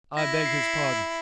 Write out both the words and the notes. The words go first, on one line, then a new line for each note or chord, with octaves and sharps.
I beg his pardon.
E4 A#6
C7